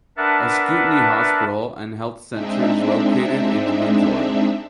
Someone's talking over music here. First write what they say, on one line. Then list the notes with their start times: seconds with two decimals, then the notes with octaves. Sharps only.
Ascutney Hospital and Health Center is located in Windsor.
0.17 D4 A#4 B4 E5 F#5 A5
2.32 G#3 C4 D4 D#4 E5